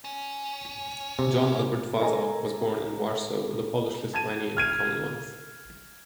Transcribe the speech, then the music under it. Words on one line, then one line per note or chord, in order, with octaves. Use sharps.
John Albert Vasa was born in Warsaw in the Polish-Lithuanian Commonwealth.
C#4
C3
A4 A#4 D#5 G#5 A#5
A5 G#6 D#7
F6 G#6 D#7